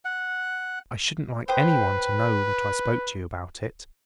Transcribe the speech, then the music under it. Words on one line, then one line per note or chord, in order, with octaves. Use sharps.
I shouldn't like anyone to know that I spoke to you about it.
F#5
B4 C5 G5 D#6